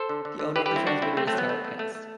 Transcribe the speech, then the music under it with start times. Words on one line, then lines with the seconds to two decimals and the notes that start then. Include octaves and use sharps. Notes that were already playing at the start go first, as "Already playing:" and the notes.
The owner of the transmitter is Towercast.
Already playing: A4 C5
0.09 D3
0.25 D3
0.39 D3
0.56 D3 G4 B4
0.66 G4 B4
0.71 G3 C4 E4
0.87 G3 D4 F#4
1.02 D3 C4 E4
1.17 A3 C4
1.27 A3 C4
1.33 F#3
1.38 B3
1.49 A3
1.65 A3
1.79 A3
1.95 A3